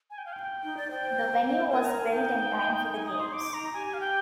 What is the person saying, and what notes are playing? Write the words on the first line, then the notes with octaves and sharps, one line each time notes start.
The venue was built in time for the Games.
G#5
G5
F5
G5
D#4
D5
C5 G5
A#4 G#5
A#5
G#5
D#4 G5
G#5
D#6
C6
D6
A#5
G4 G#5
G#5
F5
G5